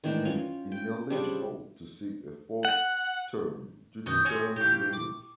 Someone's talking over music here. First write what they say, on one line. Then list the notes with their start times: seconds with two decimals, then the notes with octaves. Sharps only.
He is ineligible to seek a fourth term, due to term limits.
0.04 D#3 E3 D4 G5
0.25 C#4 F4
0.72 G5
1.10 C#3 G3 C4 D4
2.65 F#5
4.06 F#2 B2 D#3 F#4 D#6 G6
4.25 C4 C#4 F#4 C#5 D#6
4.56 A#2 E4 G4 F5 C#6
4.93 D6